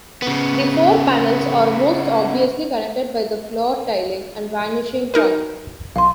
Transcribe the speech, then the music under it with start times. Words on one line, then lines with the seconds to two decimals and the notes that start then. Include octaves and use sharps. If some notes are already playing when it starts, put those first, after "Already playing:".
The four panels are most obviously connected by the floor tiling and vanishing point.
0.22 C#3 B3
5.14 D#4 A#4 B4
5.96 B1 F5 C6